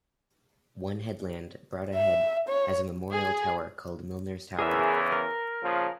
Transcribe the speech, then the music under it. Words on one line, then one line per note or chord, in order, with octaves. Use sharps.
One headland, Bradda Head, has a memorial tower called Milner's Tower.
E5
C#5
G#4
E2 C#3 E3 G#4 A#4 E5
A#4
A#2 C#3 F3